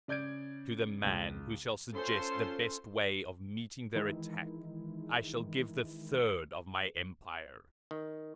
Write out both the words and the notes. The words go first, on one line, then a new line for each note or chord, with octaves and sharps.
"To the man who shall suggest the best way of meeting their attack, I shall give the third of my empire!"
C#3 D5 G6 G#6 D7
C#2
C#4 F4 A4 C5 C6
D#3 E3 G#3 D#4 E4
D#3